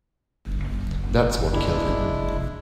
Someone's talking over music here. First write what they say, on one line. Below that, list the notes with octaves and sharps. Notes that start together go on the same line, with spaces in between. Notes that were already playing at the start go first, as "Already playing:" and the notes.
That's what killed him.
G#3 D4 E4